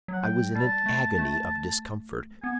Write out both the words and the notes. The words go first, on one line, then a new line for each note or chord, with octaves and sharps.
'I was in an agony of discomfort.
F#3 F#5
G5
G3 A5
A3
A3
B3 G#5